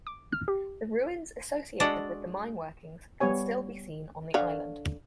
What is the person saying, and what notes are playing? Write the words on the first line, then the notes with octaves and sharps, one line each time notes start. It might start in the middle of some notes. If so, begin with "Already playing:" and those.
The ruins associated with the mineworkings can still be seen on the island.
D6
F6
G4
G#3 D4 F#4 A4 D5 F#5
G3 B3 G4 C#5 G#5
D3 C#5 F5